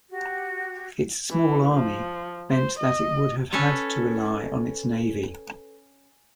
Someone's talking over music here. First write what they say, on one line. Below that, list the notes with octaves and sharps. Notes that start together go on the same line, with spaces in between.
Its small army meant that it would have had to rely on its navy.
F#4 G4
E3
F3
C5
D#5
C#4 A4 B4 C#5